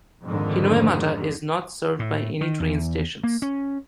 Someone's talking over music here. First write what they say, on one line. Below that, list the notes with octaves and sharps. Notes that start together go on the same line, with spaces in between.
Hinoemata is not served by any train stations.
F2 G#2 D3 D#3
A2
D#3
E2
A#3
C#4